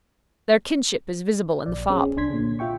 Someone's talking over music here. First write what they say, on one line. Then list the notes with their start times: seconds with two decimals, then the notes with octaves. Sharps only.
Their kinship is visible in the fop.
1.66 A#1 D5
1.90 C4 C#4 G#4
2.17 C2 D4 C6 G#6 B6
2.29 A#2 D3
2.59 F4 E5 G5 C#6